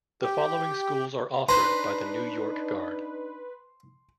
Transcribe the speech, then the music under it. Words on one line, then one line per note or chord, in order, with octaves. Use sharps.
The following schools are offered by the New York Guard.
G4
D4 D#4 B4 C5 A#5 C6